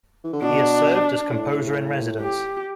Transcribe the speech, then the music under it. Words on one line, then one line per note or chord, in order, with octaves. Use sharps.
He has served as composer-in-residence.
E3
D3
B2 D4
A2
G4